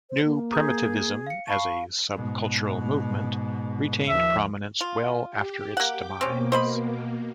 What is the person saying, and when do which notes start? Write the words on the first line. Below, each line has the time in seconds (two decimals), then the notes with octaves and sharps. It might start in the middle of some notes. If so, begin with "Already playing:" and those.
New Primitivism as a sub-cultural movement retained prominence well after its demise.
0.10 C5
0.24 A#3
0.52 G#4 A#5 D#6 G6
1.26 F5 C#7
1.48 F5 A5 B5 C#6 C7
2.15 G#2 B2
4.09 D#2 F3 E5
4.81 F4
5.30 G4
5.77 A#3 F#5 G5 D6
6.21 B2 A#3 C4 C#4
6.52 C5 D#5 B5